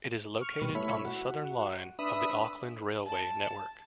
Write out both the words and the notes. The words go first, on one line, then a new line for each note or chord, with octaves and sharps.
It is located on the Southern Line of the Auckland railway network.
C#6 F6
B2 G3 B4
A3 E4 C#5 B5
F#4
D4 B4 E5 B5 D#6
A5